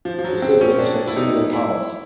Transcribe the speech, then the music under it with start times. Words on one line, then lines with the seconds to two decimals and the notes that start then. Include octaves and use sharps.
The siblings have similar powers.
0.05 F3
0.19 F3
0.24 F#3
0.42 C4
0.61 C#4
0.79 D4
1.08 E4
1.16 D#4
1.53 E4